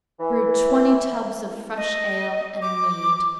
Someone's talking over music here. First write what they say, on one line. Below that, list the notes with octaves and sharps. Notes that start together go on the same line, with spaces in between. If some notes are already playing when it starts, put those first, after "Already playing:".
Brew twenty tubs of fresh ale and mead.
E3
D#5
D6